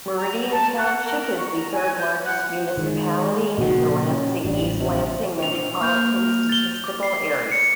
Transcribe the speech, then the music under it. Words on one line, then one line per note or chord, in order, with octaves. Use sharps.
Meridian Township is the third largest municipality in the Lansing-East Lansing Metropolitan Statistical Area.
A#5
A5
F#5
A#4
C#6
A#5
G#5
G6
F#5
D#3 G#3
A#2 C#3 F3 F#4
C#4
A1 G3 D4
C3
D4 F4 C5 F7
A#3 F6 G6 F7
A6 G7
D6
C7
C#7